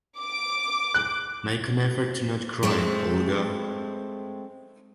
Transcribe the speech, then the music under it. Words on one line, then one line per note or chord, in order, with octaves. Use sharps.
Make an effort to not cry, Olga!
D6
F#6
G#3 A3 C4